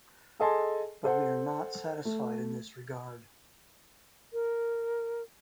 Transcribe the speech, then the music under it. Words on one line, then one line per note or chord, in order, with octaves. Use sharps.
But we are not satisfied in this regard.
G#4 A4 D#5 G#5 A5 C6
A4 C5 F#5
A3
A#4